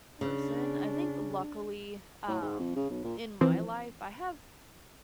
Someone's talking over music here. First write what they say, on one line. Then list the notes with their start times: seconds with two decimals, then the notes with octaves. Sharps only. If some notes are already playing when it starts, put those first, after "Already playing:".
person. I think, luckily, um, in my life, I have
0.21 C#3 D4
2.28 A2
2.42 G#2
2.60 F2
2.76 C#3
2.90 B1
3.04 A#2
3.41 E3 F3 C4